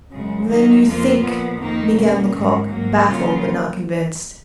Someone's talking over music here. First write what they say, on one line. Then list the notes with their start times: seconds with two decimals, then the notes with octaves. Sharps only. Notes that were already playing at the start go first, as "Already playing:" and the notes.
"Then you think--" began Lecoq, baffled but not convinced.
0.12 F#2 C#3 G#3
0.49 D#3 F#3 A#3 D#4
0.85 F2 F3 A#3 F4
1.22 A#2 F3 B3
1.59 F2 D#3 A#3 D#4
1.95 B2 A#3 C#4
2.32 G#2 D#3 G#3
2.69 G#2 F#3 A#3
3.06 C#3 F#3 A#3 F4